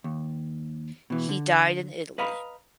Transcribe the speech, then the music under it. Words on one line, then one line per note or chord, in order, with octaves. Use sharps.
He died in Italy.
D#2
B2 E3
D3
B4 D#5 F5 A#5 B5